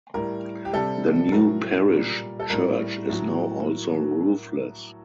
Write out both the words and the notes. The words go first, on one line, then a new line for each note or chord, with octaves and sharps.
The new parish church is now also roofless.
A2 G3 A#4
G4
C3 G3 A4
A2 F#3 A#4
A#2 G3
A4
A2 G3 A#4
A2 F#3